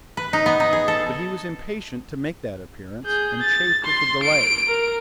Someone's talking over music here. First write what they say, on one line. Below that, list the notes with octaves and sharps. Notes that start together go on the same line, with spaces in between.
But he was impatient to make that appearance, and chafed at the delay.
B4
D#4
B3
D#4
G#4
A4
G#4 G6
A6
C6
D7
A#4